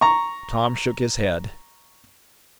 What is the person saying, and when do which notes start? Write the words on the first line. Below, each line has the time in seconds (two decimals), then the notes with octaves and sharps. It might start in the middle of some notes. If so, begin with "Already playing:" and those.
Tom shook his head.
0.01 A#5 C#6